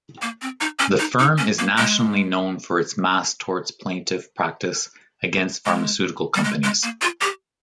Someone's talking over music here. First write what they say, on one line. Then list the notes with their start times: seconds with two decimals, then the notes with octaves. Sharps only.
The firm is nationally known for its mass torts plaintiff practice against pharmaceutical companies.
0.22 A#3
0.42 C4
0.61 D#4
0.80 C#4
0.99 D#4
1.19 D#4
1.38 C#4
1.59 A#3
1.78 G#3
5.66 G#3
6.34 G3
6.44 G#3
6.64 G#3
6.83 A#3
7.02 F4
7.21 G4